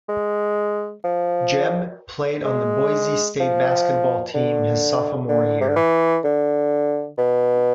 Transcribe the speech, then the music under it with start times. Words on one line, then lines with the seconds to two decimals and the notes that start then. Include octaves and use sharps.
Jeb played on the Boise State basketball team his sophomore year.
0.09 G#3
1.04 F3
2.45 G#3
3.40 F3
4.35 D3
5.28 D3
5.61 C3
5.69 D3
5.76 E3
6.24 D3
7.18 B2